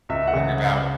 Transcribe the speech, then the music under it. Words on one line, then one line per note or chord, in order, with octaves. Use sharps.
worrying about,
C#2 E5
F#5
C#3